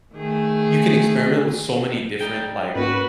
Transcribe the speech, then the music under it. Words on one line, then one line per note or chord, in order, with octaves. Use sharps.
you can experiment with so many different, like,
D#3 A3 G#4
G3 D#4 G5
G#2 A#3 C#4 F#4 B4